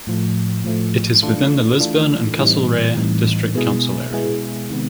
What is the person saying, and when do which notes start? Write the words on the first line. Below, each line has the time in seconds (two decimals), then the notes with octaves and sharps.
It is within the Lisburn and Castlereagh District Council area.
0.07 A2 F3 A3
0.64 A2 F3 A3
1.23 E3 A3 D4 F4 A4
1.80 E3 A3 D4 F4 A4
2.38 A2 E3 G3 C4 D#4
2.96 A2 E3 G3 C4 D#4
3.55 B2 G#3 B3 E4 G#4
4.11 B2 G#3 B3 E4 G#4
4.70 C3 D#3 G#3 B3